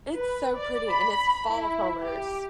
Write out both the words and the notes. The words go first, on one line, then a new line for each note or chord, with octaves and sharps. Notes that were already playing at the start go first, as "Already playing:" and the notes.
it's so pretty and it's fall colors.
B4
D5
B5
E4
G4